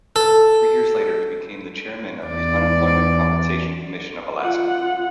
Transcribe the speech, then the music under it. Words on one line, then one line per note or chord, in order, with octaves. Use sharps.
Three years later he became the chairman of the Unemployment Compensation Commission of Alaska.
A4
E2 D5
F4 F#5